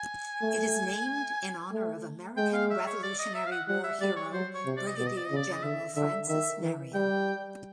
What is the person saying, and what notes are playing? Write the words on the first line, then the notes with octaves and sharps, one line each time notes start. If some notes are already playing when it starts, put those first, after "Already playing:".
It is named in honor of American Revolutionary War hero Brigadier General Francis Marion.
Already playing: G#5
A3
A3
G#3 G5
F5
E5
C#5
D5
D#5
E5
F5
F#5
G3 F#5
E5
G3 D5
C#5
F#3 C5
C#5
C3
D5
D#5
B2 D5
D#5
D5
C#3 D#5
D5
D#5
D3 E5
D3 E5
D#3 E5
E3
G3 G5